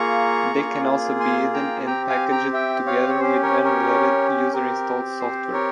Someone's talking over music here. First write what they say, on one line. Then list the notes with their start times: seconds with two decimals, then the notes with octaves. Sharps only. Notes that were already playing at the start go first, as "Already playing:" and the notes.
They can also be hidden and packaged together with unrelated user-installed software.
Already playing: A#3 F4 G#4 A#5 C#6
0.54 A#3 F4 G#4
1.20 G#5 C6
1.54 G5 A#5
1.86 C4 G4 G5 A#5
2.09 F5 G#5
2.31 G5 A#5
2.53 E5 G5
2.86 C#5 F5
3.09 C#5
3.20 C#4 G4 C5
3.43 A#4 C#5
3.64 A#4 C#5
4.53 C4 G4 A#4
5.20 C5
5.53 A#4 C#5